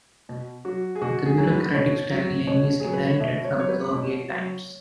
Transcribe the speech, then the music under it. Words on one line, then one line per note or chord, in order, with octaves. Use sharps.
The bureaucratic-style name is inherited from the Soviet times.
B2
F#3 F#4
G#4
B2 F#4
G#4
F#3
B4
B2 C#5
F#3
B2 C#5
F#3 G#4
B4
C#5
B2 E5
C#5
F#3 C#5
B4
B2 C#5
F#3